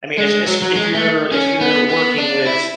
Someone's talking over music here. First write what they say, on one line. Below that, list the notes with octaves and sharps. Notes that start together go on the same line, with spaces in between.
I mean, as as if you're if you're working with,
G#3
F#3
F#3
G#3
A3
C#4
B3
B3
D4
E4